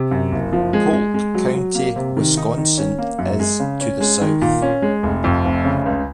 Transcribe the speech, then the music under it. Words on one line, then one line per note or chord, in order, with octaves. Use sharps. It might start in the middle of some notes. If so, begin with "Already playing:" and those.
Polk County, Wisconsin, is to the south.
Already playing: C3
F#2
F#1
F3
G#3
G#3
G#3
F#3
F#3
A#3
C3
D#3
D#4
D#3
C#4
A#3
F#2
G#3
C#3
C#4
G#3
D#3
A#2
C#4
G#3
F1
F2
F1
C#3
C#2